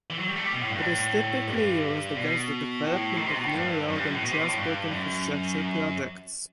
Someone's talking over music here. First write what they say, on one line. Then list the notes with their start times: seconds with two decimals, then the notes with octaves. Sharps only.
It is typically used against the development of new road and transport infrastructure projects.
0.10 E3
0.19 F#3
0.27 G3
0.36 A3
0.44 G3
0.53 B2
0.62 A2
0.70 G2
0.79 A2
1.47 G2
2.16 B2
2.84 A2
3.17 D#3
3.26 C3
3.35 B2
3.45 A2
3.53 G2
3.88 F#2
3.96 G2
4.05 F#2
4.14 A2
4.22 B2
4.31 C3
4.40 B2
4.48 A2
4.57 G2
4.91 F#2